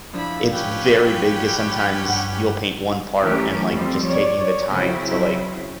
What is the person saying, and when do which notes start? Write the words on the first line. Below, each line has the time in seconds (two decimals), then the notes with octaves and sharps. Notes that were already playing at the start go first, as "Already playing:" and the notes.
It's very big 'cause sometimes you'll paint one part and, like, just taking the time to, like
0.13 F3 D4 E4 B5
0.53 C#4 G4 B4 G5
2.08 G2 F#5
3.23 E3 A3 C#4 G4 A#4
3.72 F2 F3 G3 C4
4.06 C#5 D5
4.69 C#3 F#3 C4 C#4 E4